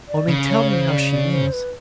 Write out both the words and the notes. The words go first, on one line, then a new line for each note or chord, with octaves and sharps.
Only tell me how she is.
D5
C#3
C#5
C5
D5
D5
C5
B4